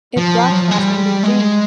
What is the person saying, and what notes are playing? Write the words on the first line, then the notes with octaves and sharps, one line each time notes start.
It broadcasts from Beijing.
F3
F#3
F3
G#3
G3
G#3